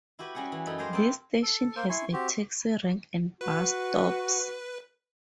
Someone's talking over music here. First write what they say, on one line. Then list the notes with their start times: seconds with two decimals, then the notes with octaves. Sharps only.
This station has a taxi rank and bus stops.
0.19 E4 F#4 G4 B4
0.35 G3 C#4 F#4 G#4 F#5
0.52 E3
0.66 F#2 D#4 A4 G#5 B5
0.78 G4 G#4 A#4 C5 D#5 F5
0.93 C4 E4 A#4 G5 A5
1.43 A4
1.76 A#3 C5
1.89 E4 G#5 C6 C#6
2.13 C4 F#4 G4
3.41 F#4 B4